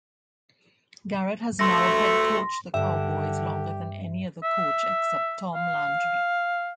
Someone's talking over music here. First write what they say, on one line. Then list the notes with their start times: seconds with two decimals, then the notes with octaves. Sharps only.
Garrett has now head-coached the Cowboys longer than any other coach except Tom Landry.
1.59 D2 G2 A3 C6 A#6
2.74 G2 D3 G4 E5
4.43 E5
5.55 F5